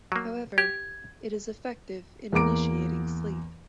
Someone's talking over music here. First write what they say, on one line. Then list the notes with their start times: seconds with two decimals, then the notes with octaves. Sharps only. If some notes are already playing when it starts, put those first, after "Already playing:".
However, it is effective in initiating sleep.
0.12 F#3 A#3
0.58 G4 G#6
2.33 E2 A#3 A#5 D6 D7